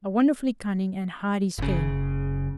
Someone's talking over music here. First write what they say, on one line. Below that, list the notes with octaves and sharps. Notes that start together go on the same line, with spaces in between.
A wonderfully cunning and hardy scheme!
F#1 C#3